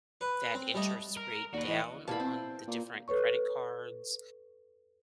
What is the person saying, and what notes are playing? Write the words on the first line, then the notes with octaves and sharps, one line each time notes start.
that interest rate down on the different credit cards
B4
C4
G3 A3 D#5
A#4
D#2 F#4 B4 D5
E3 D#5
A#2 G3 A#3 E4 B4 A5 B5
C4
A#2
A4 B4 C#5 C#6